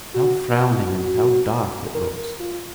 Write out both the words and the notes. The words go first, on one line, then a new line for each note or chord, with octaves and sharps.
How frowning and how dark it looks!'
F#4
A#4
A#4
F4